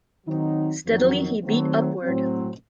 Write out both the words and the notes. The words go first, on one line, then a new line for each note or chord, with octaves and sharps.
Steadily he beat upward.
D#3 F#3 C4 D#4
F2 D#3 F#3
D#3 F#3 A3 C4
A2 F#3 C4